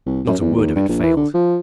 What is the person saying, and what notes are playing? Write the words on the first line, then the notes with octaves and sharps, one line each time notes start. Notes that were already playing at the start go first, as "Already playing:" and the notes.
Not a word of it failed.
C2
F#2
E2
D#2
G2
A#1
E3
D3
F3